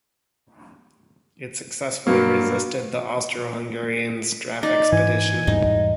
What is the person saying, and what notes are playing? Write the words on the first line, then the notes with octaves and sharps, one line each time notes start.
It successfully resisted the Austro-Hungarian Strafexpedition.
G2 F#3 A#3
D#4 D5
G#2 E3 G#5
E2 G#2 G3 D#4